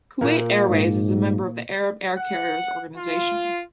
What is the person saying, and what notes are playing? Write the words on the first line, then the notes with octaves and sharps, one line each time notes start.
Kuwait Airways is a member of the Arab Air Carriers Organization.
A#2 A#3
G#2
F#5
F4